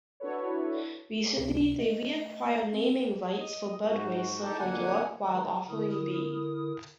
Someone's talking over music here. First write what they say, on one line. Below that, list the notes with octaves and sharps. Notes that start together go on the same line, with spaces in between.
Recently, they reacquired naming rights for Budweiser for Europe while offering B.
D4 E4 F#4 A4 B4 C#5
C#2 C3
A3 D#5
C4
D#5
G#2 F#4
A2 D#4 G4 A4 G5 A5
F2 D3 A#3 F#5 G#5
D#3 G#3
D3 E4 A#4 D#6